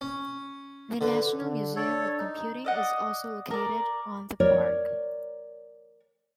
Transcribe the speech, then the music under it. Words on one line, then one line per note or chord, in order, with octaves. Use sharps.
The National Museum of Computing is also located on the Park.
C#4
D3 B4
D3
D4 A4 C#5
D#4
D5 D#5 F#5
A#4 D5
A#4 C#5 D5